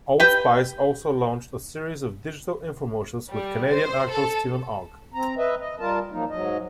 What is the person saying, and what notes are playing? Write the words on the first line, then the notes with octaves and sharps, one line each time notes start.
Old Spice also launched a series of digital infomercials with Canadian actor Steven Ogg.
G4 B4 G5
G3
C5
A4
C4 A#5
B4 D#5 E5
D#5
G3 F4 A#4 A5
F3 F#3 A#3 D#4
G#2 F#3 D#5